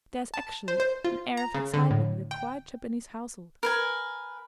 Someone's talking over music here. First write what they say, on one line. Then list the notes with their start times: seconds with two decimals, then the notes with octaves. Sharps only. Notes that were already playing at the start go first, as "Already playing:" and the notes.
There is actually an air of excitement in the quiet Japanese household.
0.34 A5
0.68 C5
0.80 C5
1.04 F4
1.37 A#5
1.55 C#3
1.74 D3
1.91 A2
2.31 G5
3.63 A#4 B4 G#5